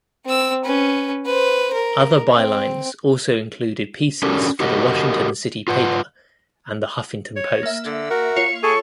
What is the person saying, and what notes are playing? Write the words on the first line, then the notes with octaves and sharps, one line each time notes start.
Other bylines also included pieces for the Washington City Paper and the Huffington Post.
C4 E6
C#4 B4
B4 C5
A#4
C4
C#4 D4 F#4 G4 A4 A#4
F#4 G4 A#4 D#5 F#5
F4 B4 F#5
C#5
A#3 E5
D3
F#4 A#4
F4 C#5 C#7
G#4 A4 C#6